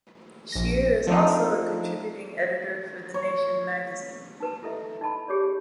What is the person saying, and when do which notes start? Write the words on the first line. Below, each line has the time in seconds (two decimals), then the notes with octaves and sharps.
Scheer is also a contributing editor for the "Nation" magazine.
0.52 A#1 A#6
1.07 F3 A3 C4 D4 D#4
3.14 C#5
4.40 D#4 B4 A5
4.63 E4 A4 D#5 E5
5.01 D#4 D#5 A5 B5
5.28 G4 G#4 C#5 D5